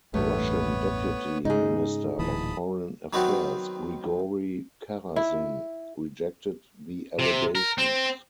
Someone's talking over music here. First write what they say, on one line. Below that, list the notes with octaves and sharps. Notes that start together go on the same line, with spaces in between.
Russian Deputy Minister of Foreign Affairs Grigory Karasin rejected the allegations.
A1 E2 G2 A3 B3 B4 C#5
G#2 C#3 D#4 G#4
D1 A#2 E3 A5 B5 D#6
D#3 F#3 B3 C4 F#4
E4
C3
A#4
C4